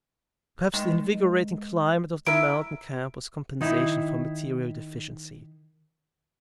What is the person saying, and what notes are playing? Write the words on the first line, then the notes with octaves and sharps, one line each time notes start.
Perhaps the invigorating climate of the mountain camp was compensation for material deficiencies.
D#3 G#3
E4 A#4 E5 D7
D#3 D#4 E4